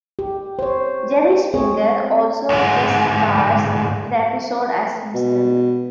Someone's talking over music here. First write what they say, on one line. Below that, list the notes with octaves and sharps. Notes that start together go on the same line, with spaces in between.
Jerry Springer also guest stars in the episode as himself.
G4
C5 C#5
C4 G#4 C#5
D2 G#2
B2